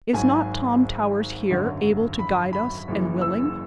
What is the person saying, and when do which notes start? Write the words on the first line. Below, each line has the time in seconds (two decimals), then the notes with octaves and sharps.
Is not Tom Towers here, able to guide us and willing?
0.13 G#1 G#2 F#3 G#5
1.50 G#1 F#2 D3 F#3
2.19 B5
2.53 B5
2.88 F#1 F#2 E3
3.21 E6